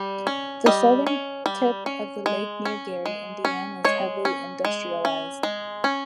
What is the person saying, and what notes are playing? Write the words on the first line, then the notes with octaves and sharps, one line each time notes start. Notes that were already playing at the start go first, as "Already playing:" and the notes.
The southern tip of the lake near Gary, Indiana is heavily industrialized.
Already playing: G3
C#4
G3 D#5
C#4
G3
C#4
G#3
C#4
G#3
C#4
G#3 C#5
C#4
G#3
C#4
G#3
C#4